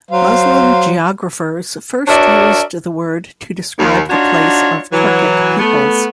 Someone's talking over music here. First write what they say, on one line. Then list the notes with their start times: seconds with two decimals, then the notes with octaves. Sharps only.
Muslim geographers first used the word to describe the place of Turkic peoples.
0.11 F#3 C5 F5
2.08 D4 F#4 A#4 C#5 D5 E5
3.78 D#2
4.10 D4 D#4 F4 F#4 C#5
4.91 E3 F#3
5.58 A3 B3